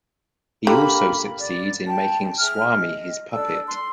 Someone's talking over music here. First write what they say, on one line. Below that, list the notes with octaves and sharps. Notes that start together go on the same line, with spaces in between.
He also succeeds in making Swami his puppet.
D3 A#3 G4 A#4 B5
D5
G5 A5
G#4 E5 F6
D#5
D4 A4 E6
C6